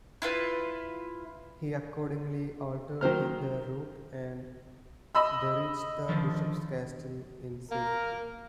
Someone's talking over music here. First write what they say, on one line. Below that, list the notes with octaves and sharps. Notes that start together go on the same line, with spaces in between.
He accordingly altered their route, and they reached the bishop's castle in safety.
E4 F4 B4
D#3 F#3 C5 F6
D#5 B5 E6
D3 D#3 F3
A#3 A#4